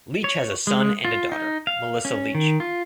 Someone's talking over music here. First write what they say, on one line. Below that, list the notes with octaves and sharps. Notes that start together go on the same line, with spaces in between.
Leach has a son and a daughter, Melissa Leach.
C#5
G#3
F4
D#4
F5
C#4
D#3
F4